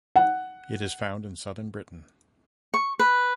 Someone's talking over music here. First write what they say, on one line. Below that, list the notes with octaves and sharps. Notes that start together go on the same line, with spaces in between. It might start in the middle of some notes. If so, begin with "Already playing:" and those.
It is found in southern Britain.
F#5
C#6
B4